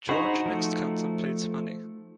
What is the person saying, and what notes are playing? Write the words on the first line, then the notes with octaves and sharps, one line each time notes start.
George next contemplates money.
D#4 F#4 G#4 C5 B5
F3 A3